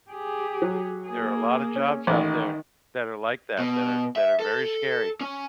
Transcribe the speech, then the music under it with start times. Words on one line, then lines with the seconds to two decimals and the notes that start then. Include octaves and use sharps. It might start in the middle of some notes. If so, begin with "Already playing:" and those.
There are a lotta jobs out there that are like that, that are that are very scary,
0.10 G4 G#4
0.62 F#3
1.06 A#3 G#4
1.76 C#4
2.07 A1 D#3
3.58 B2
4.16 E5
4.40 A4
5.21 C#4